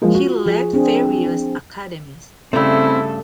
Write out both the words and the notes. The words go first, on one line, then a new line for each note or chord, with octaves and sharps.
He led various academies.
F3 G#3 A#3
F4 F#4
F3 G#4
C4 D4 G#4
G2 C#3 A3 C4 E4 A4 G5